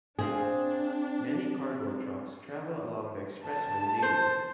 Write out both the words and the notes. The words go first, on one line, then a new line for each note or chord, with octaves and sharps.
Many cargo trucks travel along the expressway daily.
C4 D4 G#4 E5 F5
A5
C5